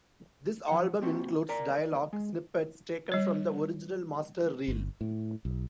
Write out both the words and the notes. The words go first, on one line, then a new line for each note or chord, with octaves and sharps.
This album includes dialogue snippets taken from the original master reel.
F3 F#5
A#3 C4 F#4
A#4 D5 A#5
G#3
G3 C#5
G1
A2
B1